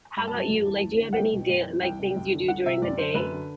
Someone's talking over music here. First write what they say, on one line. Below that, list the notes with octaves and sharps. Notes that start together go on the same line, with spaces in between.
How about you? Like, do you have any da like, things you do during the day?
G2 B5
A5
F#3
A5
F#2
E3
D2
D3
F#5
C2 G5
B2
F#2
E3
C2 G5
C3
F#2
D3
C2 F#5
C3 E5
F#2 D5
D3 C5
F#2 B4
D3